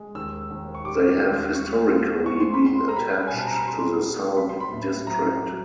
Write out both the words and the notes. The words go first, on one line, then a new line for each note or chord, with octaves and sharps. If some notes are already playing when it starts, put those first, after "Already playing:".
They have historically been attached to the South District.
Already playing: G#3
D#2 E6
D#2
C#6
G3 D6
D#2
G#3 C#6
F3
G#3 C#6
C6
B5
G#3
C6
A#5
G3 B5
B2 G#5
A5
A#5
B5
G3 C6
G3
F#3 B5
C6
B5
A2
F#3 A#5
F#3